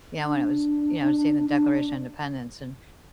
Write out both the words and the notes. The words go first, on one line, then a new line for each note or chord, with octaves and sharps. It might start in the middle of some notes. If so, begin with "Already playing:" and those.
you know, when it was you know, seeing the Declaration of Independence and
D4
D4